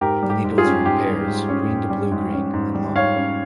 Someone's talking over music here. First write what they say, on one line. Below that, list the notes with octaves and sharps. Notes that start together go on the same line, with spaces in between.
The needles are in pairs, green to blue-green, and long.
G#2 G4 A#4
G3
G4
G#2
F4 G#4
C#4
G#2 G4
G3
G#2
C#4
G#2
G3
G#2
C#4
G#2
G3
G#2 C#5 F5
C#4